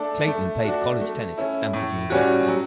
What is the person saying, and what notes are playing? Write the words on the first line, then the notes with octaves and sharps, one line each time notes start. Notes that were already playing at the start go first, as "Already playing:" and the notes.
Clayton played college tennis at Stanford University.
Already playing: A3 D4 A4
A3
D4 F#4
A3
C#4 E4
A2
G3 C#4 F#4
F#3